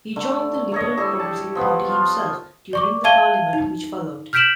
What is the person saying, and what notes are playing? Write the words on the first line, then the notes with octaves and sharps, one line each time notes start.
He joined the Liberal-Progressive Party himself during the parliament which followed.
D3 A3
A3 C#5 D#5
G3 E4 G#4 A4
G4 A5
F3 B3
F4
D5 C#6 D6
E5 F5 A5 G#6 D#7 G7
D#4
F6 G6 B6 D7 E7 F#7